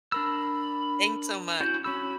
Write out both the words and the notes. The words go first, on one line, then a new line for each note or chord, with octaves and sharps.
Thanks so much.
D4 A#4 B5 E6
C#4 E4 F#4 G6
C#4 F#4 B5 E6